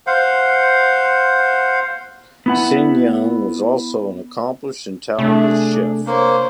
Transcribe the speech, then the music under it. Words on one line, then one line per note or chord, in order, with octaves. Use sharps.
Sen Yung was also an accomplished and talented chef.
C5 F5 F#5
B3 E4 F#5
C3 A3 D4 G#4
A#3 C5 C#5